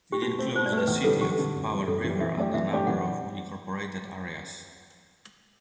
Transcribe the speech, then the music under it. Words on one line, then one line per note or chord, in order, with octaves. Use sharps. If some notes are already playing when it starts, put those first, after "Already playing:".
It includes the City of Powell River and a number of unincorporated areas.
G4
B2 F#4
A3 C4
B2 C5
D5
A3 C4
B4
E2 B4
D3 G3 A4
E2 G4
D3 G3
F#2
E3 G3
F#2 A4
E3 G3
E3 E5
A3 D4 G4
E3 E5
A3 D4 G4
E3 F#5